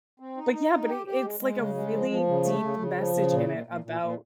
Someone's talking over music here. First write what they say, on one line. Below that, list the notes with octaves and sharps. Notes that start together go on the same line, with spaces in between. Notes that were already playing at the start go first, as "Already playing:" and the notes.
but yeah but it it's like a really deep message in it about
C4
D#4
D#4
D#4
G4
G4
G#3
G#3
C#3
G#3
F3
F3
C#3
A3
C#3
C#3
F3
C#3
A#2
A#2
A#2
A#2
A#2